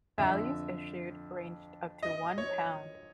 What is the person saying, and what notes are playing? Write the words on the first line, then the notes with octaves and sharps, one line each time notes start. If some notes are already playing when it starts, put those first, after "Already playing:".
Values issued ranged up to one pound.
F2 D3 E5
D#5
C#5